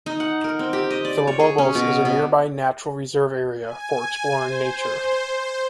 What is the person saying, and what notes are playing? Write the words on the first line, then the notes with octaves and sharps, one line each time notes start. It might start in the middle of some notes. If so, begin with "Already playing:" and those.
Filobobos is a nearby natural reserve area for exploring nature.
D#4
F#5
A#4
C4
G4
D#5
D5
C#5
G#4
C#4
B2
B2
G#5
C5